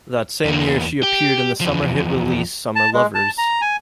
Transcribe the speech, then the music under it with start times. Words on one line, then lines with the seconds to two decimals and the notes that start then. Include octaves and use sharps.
That same year she appeared in the summer hit release "Summer Lovers".
0.45 E2 A#3
1.03 G4
1.61 E2 F3
2.76 A5
2.94 G#3
3.15 A5
3.38 A#5
3.61 G#5